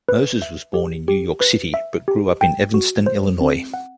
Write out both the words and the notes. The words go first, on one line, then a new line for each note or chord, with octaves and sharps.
Moses was born in New York City but grew up in Evanston, Illinois.
B4
E5
G4
G4
B4
E5
G4
G5
F#4
C5
C4
F#5